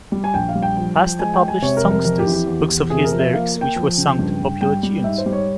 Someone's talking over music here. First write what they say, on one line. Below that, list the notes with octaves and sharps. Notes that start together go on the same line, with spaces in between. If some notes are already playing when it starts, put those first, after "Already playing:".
Pastor published "songsters", books of his lyrics which were sung to popular tunes.
G3
G#5
A#1 G5
F5
G3
G5
F3
F3
G#3 G#5
G5
G#3
G#5
C3 C#5
A#4
F2
A#4
F2 A#4
G4
E3
G4
E2
E2
C3 G#4
A#4
F3
E5
A#3 F5
A#3
G5
F3
C#3
G2
G2
G3 G5
G3
G#2 E5
C5
G3
C#5